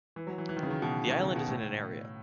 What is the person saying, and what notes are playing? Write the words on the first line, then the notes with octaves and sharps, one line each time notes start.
The island is in area.
E3
F#3
E3
E3
D#3
C#3
D#3
B2
D#3
C#3
B2
A2